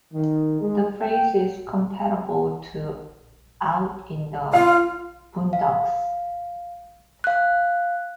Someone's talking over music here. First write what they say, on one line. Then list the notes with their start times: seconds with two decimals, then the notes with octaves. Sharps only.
The phrase is comparable to "out in the boondocks".
0.14 D#3
0.60 G#3
1.01 G5
4.53 F4 F5
5.53 F5
7.24 F5 F#6